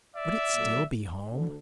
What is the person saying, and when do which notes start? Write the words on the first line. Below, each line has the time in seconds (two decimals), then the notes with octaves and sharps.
Would it still be home?
0.15 D5 E5
0.54 A#2 F#3 A3
1.30 D2 D3